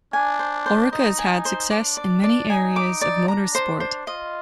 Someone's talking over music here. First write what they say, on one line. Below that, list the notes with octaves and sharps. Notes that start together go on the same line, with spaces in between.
Oreca has had success in many areas of motorsport.
D4 G#5
C5
C5
D#4 D#5
G#5
C5
D4 D6
D5
D5
D#4 G#5
D6
D5
D4 A#5
C5
C5
F4 D#5